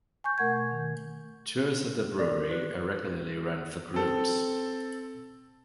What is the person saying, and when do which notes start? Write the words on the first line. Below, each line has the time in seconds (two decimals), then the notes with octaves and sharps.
Tours of the brewery are regularly run for groups.
0.24 G#5 C#6 G6
0.38 B2 A3 A#4 F#5 C#6 G#6
0.71 D#3
2.19 D5
2.51 B4
3.94 C4 A4